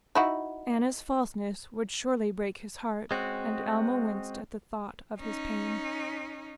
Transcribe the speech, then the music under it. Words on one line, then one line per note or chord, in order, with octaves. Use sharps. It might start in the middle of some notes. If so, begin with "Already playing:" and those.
Anna's falseness would surely break his heart, and Alma winced at the thought of his pain.
D#4 E4 F#4
G#3 C4 C#4 F#4
C#4 D#4